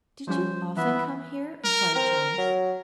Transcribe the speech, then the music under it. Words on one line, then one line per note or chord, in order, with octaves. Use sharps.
"Did you often come here?" inquired Joyce.
F3 G3 C#4 C5
E3 B3 E5
A#4
C4 A#4
F#3